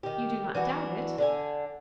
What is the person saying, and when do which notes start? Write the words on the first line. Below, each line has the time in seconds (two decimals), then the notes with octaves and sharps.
"You do not doubt it?"
0.03 D#3 G4
0.55 E3 D4 F#4
1.18 D3 D4 G#5